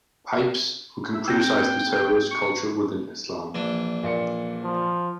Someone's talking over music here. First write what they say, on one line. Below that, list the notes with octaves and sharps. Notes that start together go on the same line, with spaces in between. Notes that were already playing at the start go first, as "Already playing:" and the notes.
Pipes, who can criticize the terrorist culture within Islam.
E5
A#3 C4 G5
C#6
A#1 E3 D4
A#2 D5 C#7
F3